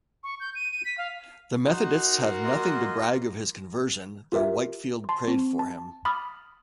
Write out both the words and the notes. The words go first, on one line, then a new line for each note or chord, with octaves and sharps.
The Methodists have nothing to brag of his conversion, though Whitefield prayed for him.
C#6
G6
D#7
D#7
B6
F5
D#4 F#4 F#5 C6
A#4
A#3 F4 D#5
F4 G4 A#4 E5
A5 C6
C4
A5
B5 D6 D#6 F6 A6